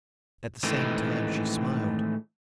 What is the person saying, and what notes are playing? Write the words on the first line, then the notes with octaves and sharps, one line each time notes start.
At the same time she smiled.
A2 D#3 E3 G#3 A3 C4